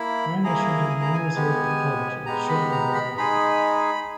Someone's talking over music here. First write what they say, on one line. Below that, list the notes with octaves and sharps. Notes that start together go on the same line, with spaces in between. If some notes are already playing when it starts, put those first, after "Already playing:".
Brown issued an unreserved apology shortly thereafter.
Already playing: A#3 E4 B5
A#3 E4 G#4 A#5
G#5
A#5
G#5
G#3 B3 G4
G#3 B3 G4 A#5
B5
A#5
B5
G#3 D#4 G#4 B5